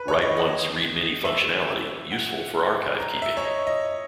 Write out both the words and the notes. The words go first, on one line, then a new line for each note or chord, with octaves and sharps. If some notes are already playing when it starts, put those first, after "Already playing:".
Write Once Read Many functionality, useful for archive keeping.
Already playing: B4
C#5
D#5
D#5
E5
F#5
A#5
E5
C#5
D#5
D#5